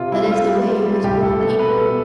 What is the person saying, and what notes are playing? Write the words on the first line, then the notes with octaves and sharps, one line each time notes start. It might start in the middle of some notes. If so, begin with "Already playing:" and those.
That is the way with old people!
Already playing: C3 F4
G3 E4
G3 F4
G3
G3
G3
C2 G4
C2 A4
B2 A4
B3 B4
B3 A4